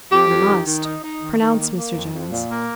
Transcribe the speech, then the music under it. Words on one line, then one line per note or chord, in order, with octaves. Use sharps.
"We must," pronounced Mr. Jones.
F2 G4
F2
D#3
D#3
D#4
D#4
D#3
D#3
A#3
A#3
F2
F2
A#2
A#3